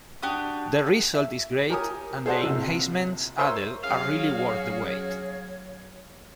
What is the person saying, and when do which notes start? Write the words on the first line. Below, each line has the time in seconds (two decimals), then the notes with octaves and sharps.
The result is great and the enhancements added are really worth the wait.
0.23 D4 F#4 G4 D#6
1.14 E5
1.70 G4 A#4 C#5 G#5 D#6
2.26 G#4 A4 C5 D5 F#5 A5
2.42 A#1 C3 E6
3.39 A#4 C5 C#5 E5 C#6 E6
3.84 F#3 C#4 F#4 G#4 C#5 F5